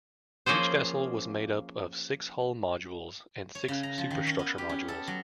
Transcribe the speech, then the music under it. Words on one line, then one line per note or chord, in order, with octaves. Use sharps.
Each vessel was made up of six hull modules and six superstructure modules.
F3 A#3 C#4 G#4 C5
C#5
C#3
A#5
F3
D#3
C#4
B3
G4
C#4
A4
F#3